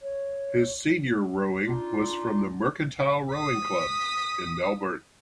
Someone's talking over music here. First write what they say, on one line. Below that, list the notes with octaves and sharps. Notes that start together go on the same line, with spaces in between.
His senior rowing was from the Mercantile Rowing Club in Melbourne.
C#5
D4 D#4 F4
D#6 B6